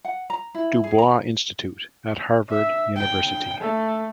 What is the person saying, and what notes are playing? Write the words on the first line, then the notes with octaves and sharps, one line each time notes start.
Du Bois Institute at Harvard University.
F#5
A#5
E4
G#4
A#5
E5
G5
A3